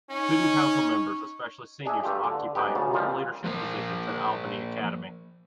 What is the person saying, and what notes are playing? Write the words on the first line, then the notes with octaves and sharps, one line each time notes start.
Student Council members, especially seniors, occupy important leadership positions at Albany Academy.
C#4 D#4 C#6
D4 G#4 D#5 E5
G2 A3 F4 G4
D3
G#2 B3 G4
D2 C#3 A5
C#2 A#2 F3 G3
F3 A#3 A#4 C5